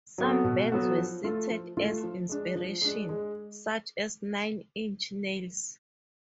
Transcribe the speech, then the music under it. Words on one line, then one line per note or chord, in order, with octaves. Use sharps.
Some bands were cited as inspiration, such as Nine Inch Nails.
F#3 B3 F#4 A4
B2
F#3 B3 F#4 A4
F3
A3 F4 A4
F3
A3 F4 A4
F3
G#3 D4
F3
G#3 D4
G#3